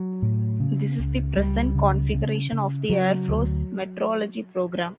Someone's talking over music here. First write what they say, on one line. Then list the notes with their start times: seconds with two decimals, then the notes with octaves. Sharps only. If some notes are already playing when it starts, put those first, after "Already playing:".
This is the present configuration of the Air Force Metrology program.
Already playing: F#3
0.22 A2
0.60 C#3
0.99 C#2
1.36 C#2 G3
1.75 C#3
2.14 C#3
2.52 C#3
2.89 C#3 F#3
3.28 D2